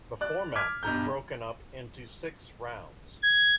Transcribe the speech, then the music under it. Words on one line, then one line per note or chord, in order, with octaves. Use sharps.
The format is broken up into six rounds.
D5 F#6
D6 F6 G#6 B6
B1 G2 A#5 G6
G#6